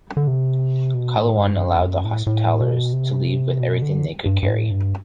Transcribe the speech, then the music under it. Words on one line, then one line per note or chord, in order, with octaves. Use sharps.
Qalawun allowed the Hospitallers to leave with everything they could carry.
D3
C3
B2
A2
G2
F#2
E2
F#2
A2
A2
B2
C3
B2
D3
G2
G2
A2
G2